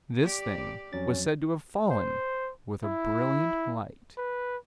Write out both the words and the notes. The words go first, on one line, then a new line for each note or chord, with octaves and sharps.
This thing was said to have fallen with a brilliant light.
G4 D5
F2 F#3 C#4 A6
C5
E4
B4